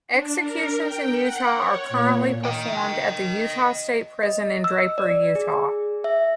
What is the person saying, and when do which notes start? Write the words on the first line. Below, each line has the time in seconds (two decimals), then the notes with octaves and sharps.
Executions in Utah are currently performed at the Utah State Prison in Draper, Utah.
0.11 D4
0.41 A#4
0.81 G5
1.17 F#5
1.54 C#5
1.89 A#2
2.44 D#5 G5
4.23 D#5
4.64 E6
4.98 D5
5.35 G#4
6.04 E5